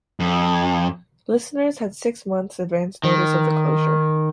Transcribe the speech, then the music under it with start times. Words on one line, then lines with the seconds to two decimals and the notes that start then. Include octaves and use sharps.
Listeners had six months advance notice of the closure.
0.20 F2
3.04 D#3